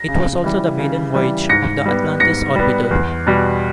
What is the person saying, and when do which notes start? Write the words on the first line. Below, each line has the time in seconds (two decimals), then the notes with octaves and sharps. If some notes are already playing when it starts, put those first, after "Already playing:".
It was also the maiden voyage of the "Atlantis" orbiter.
Already playing: A#6
0.08 C#3
0.44 E3 G3
0.79 C#3
1.14 E3 G3
1.49 G#2 A#6 C#7
1.86 G3 B3
2.20 G#2 A#6 C#7
2.56 G3 B3
2.91 E2
3.27 B2 G3